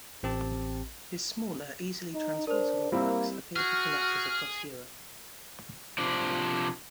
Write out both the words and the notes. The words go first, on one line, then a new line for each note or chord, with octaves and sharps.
His smaller, easily transportable, works appealed to collectors across Europe.
A1 C4 G4 A5
D#4
D4 A#4 C5
G3 A#3 C4 E4
F#4 G#4 F6
C3 F3 D4